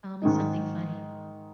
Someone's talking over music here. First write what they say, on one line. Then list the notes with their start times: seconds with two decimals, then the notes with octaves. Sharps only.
Tell me something funny.
0.22 G#2 D#3 G#3 D#4